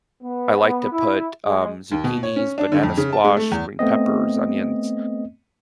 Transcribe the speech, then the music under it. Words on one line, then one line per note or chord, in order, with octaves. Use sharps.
I like to put, um, zucchinis, banana squash, green peppers, onions,
B3
E4
G#3
D#2
B2
C#5
C#4
D4
D3
F2
C#3
A5
G#3
A3
E2
A3 B3 C4 D#5